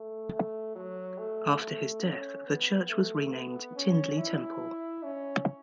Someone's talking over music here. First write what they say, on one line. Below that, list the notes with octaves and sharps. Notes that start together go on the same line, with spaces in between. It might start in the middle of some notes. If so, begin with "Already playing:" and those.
After his death, the church was renamed Tindley Temple.
Already playing: A3
A3
F#3
A3
A3
C#4
B3
A3
B3
C#4
E4
C#4